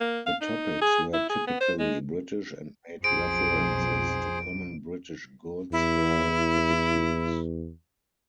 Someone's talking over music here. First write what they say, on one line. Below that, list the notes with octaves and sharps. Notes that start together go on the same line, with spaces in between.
The topics were typically British and made references to common British goods or attitudes.
A#3
F5
D#4
G#4
E4
G#4
B3
C5
G#3
B1 F2 G#4 C5 D7
E2 E4